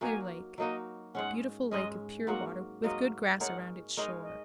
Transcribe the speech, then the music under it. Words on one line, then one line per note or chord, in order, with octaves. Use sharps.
Clear Lake.--Beautiful lake of pure water, with good grass around its shore.
F#3 A#3 D#4 F#4 G#5
F#3 A#3 D#4 F#4 D#5
G#2 G#3 C#4 F#5
G#2 G#3 C#4 D#5
G#2 F#3 A#3 F#4 F#5
G#2 F#3 A#3 F#4 D#5
G#3 D#4 A#4 C#5 F#5
G#3 D#4 A#4 C#5 D#5
D#5